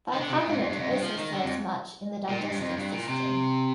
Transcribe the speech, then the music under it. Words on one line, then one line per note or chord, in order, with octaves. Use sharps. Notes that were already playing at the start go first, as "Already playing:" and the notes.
Bicarbonate also serves much in the digestive system.
D#3
D3
C3
A#2
G#2
F2
G2
F2
G2
F3
D#3
D3
F2
A#2
G#2
G2
F2
G2
A#2
C3